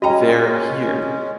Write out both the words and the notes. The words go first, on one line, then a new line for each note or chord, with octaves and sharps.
They’re here.
G#3 C#4 F#4 D#5 G5 A#5